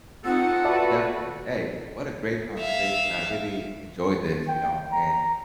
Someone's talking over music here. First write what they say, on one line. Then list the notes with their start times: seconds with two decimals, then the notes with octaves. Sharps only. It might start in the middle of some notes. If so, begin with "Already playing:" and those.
Definitely. Hey, wh what a great conversation. I really enjoyed this, you know? And
0.25 C4 D#4 F4 A4 F#5
0.65 F#4 B4 D5 E5 A5
2.59 E5 F5
4.48 G5
4.92 A#5